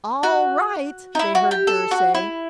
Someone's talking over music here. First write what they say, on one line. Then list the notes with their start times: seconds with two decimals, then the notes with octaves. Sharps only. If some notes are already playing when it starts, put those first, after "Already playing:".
"All right!" they heard Gurr say.
0.23 F#4
1.15 D#4
1.19 E4
1.35 F#4
1.51 G4
1.67 A4
1.91 F#4
2.15 E4